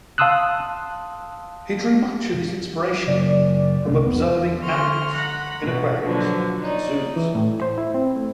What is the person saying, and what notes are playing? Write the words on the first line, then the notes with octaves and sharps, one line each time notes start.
He drew much of his inspiration from observing animals in aquariums and zoos.
F5 A5 C6 D#6 E6 F#6
C#3 F#3 D5
B1 C3 A3
E1 B3
D3 C6 C#6 F6 A#6
F#5 A#5 B5
D2 B2
B2 D3 F3 F#3
D#4 C#5 D5
E3
A2
C5
E4
C4
A3